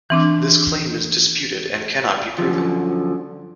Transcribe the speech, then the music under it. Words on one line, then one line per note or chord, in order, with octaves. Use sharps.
This claim is disputed and cannot be proven.
E3 C4 D4
F#2 D3 F3